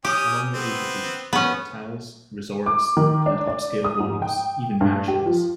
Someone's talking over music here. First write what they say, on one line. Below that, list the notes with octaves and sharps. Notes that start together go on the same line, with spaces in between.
Along the Asia Beach there are hotels, resorts, and upscale homes, even mansions.
C#4 G4 D#6
B3 C4
B3 C#4
D6
D#3
D4
D5
D#6
G#2
G5
G2
G4
F3